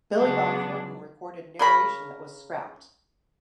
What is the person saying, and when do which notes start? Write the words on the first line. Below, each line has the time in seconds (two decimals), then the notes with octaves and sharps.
Billy Bob Thornton recorded narration that was scrapped.
0.15 C#3 F#3 G#3 B3 D4
1.59 C#3 A#4 B5